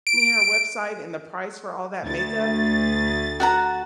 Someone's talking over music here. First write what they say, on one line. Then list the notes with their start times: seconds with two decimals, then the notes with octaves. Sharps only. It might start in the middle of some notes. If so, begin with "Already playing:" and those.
me her website and the price for all that makeup,
0.07 D7
2.06 D2 A6
3.40 F#4 F#5 A#5